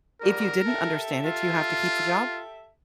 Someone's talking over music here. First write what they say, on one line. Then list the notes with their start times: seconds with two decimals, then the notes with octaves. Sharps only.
if you didn't understand it, do you have to keep the job?
0.21 F2 G#2 G3 A#4
0.66 G4 A4 E5
1.26 F4